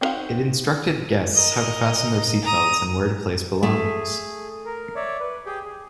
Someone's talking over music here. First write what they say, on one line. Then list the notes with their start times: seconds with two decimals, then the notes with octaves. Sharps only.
It instructed guests how to fasten their seat belts and where to place belongings.
0.01 C4 D4 D#4 F#4 F5
1.35 A#4 D#5
2.42 A#5 D#6
3.63 A3 G#4
4.65 A#4
4.95 C#5 D5 E5
5.20 B4
5.46 G4 G#4 G5
5.65 G#4